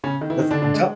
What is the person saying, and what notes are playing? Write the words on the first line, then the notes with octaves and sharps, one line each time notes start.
That's Jo
C#3 C#4
D#3 D#4
E3 E4
D#3 D#4
D3 D4
D3 D4
G#3